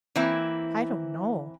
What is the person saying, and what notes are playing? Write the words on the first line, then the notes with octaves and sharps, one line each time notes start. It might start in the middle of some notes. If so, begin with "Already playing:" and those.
"I don't know."
E3 A#3 C4 E4